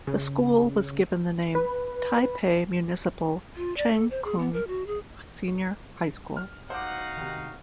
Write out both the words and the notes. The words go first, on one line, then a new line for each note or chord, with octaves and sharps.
The school was given the name Taipei Municipal Cheng Kung Senior High School.
C#3
B4
F4
D5
A4
C5
G#4
B3
A#4
F#4
G#4
F6
D#4 F#4 C5 F5 F#5 D6
C3 D#3